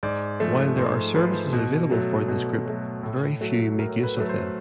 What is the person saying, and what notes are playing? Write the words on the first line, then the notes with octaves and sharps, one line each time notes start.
While there are services available for this group, very few make use of them.
G#2 D5
F3 A3
G#2 C5
F3 A3 B4
B2
F#3 A3
B2
F#3 A3
A2 A4
F#3 A3
A2 A#4
B4
F#3 A3
C5